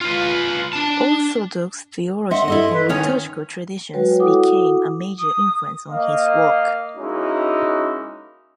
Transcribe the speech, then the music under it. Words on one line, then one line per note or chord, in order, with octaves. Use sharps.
Orthodox theology and liturgical traditions became a major influence on his work.
F4 B4
D4 A5
D#5 E5 F#5 C6
E4 A4 D#5
B4
D#3 C#4 D#4 C#5
F#3 G#3 F#4 B4 C#5 G5
E4 F#4 A4 F#5 D6 D#6
D#6
A#3 D#5 F5
G#3 A#3 C#4 D#4 E4 F#4